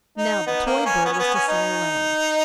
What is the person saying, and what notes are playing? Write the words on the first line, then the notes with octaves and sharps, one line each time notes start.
Now the toy bird was to sing alone.
D#4
B3
A#3
C#4
B3
C#4
B3
C#4
D#4